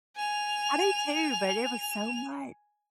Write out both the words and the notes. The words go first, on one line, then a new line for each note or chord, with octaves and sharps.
I do too, but it was so much.
G#5 F7